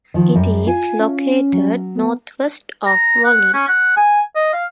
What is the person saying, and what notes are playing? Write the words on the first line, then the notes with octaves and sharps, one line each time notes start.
It is located northwest of Volin.
D#3 F3
F#2 G3
F4 G#5
C#4
F#3
B3
A#5
F#5
C#4
F#5
G#5
D#5
F5